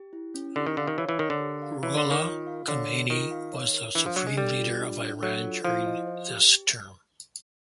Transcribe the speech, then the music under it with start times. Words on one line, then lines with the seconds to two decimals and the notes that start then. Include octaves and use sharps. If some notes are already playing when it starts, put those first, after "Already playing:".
Ruhollah Khomeini was the supreme leader of Iran during this term.
Already playing: G4
0.13 E4
0.34 C#4
0.56 D3 G4
0.67 D#3
0.77 D3 F5
0.87 D#3
0.98 E3 C#5
1.09 E3
1.19 D#3 A#4
1.30 D3
1.40 G4
1.62 F5
1.83 E3 C#5
1.97 D3
2.05 A#4
2.11 D#3
2.25 F4
2.47 F5
2.68 D3 C#5
2.89 A#4
3.10 D#3 F4
3.31 F5
3.53 C#5
3.74 A#4
3.95 E3 D4
4.06 F3
4.16 F#3 D4
4.27 G#3
4.37 G3 A4
4.59 F4
4.80 D4
5.02 D4
5.22 F#3 A4
5.44 F4
5.64 F3 E4
5.86 D#5
6.07 C5
6.28 G4